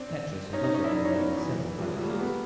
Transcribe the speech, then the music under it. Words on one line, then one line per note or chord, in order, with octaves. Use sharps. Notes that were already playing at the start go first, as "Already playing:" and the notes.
Petrus has also been awarded several fellowships.
Already playing: C4 D4
C#4 D#4
C#4 D#4
C#4 D#4
D4 E4
D4 E4
C#4 D#4
B3 C#4
E3 F#3
F3 G3
F#3 G#3
G3 A3
G#3 A#3
A3 B3